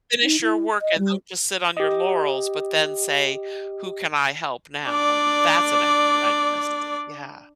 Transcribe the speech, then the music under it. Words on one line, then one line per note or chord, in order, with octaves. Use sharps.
Finish your work and don't just sit on your laurels, but then say, "Who can I help now?" That's an act of kindness. Yeah.
D#4
E4
D#5
G3
G4 D#5
D4 D5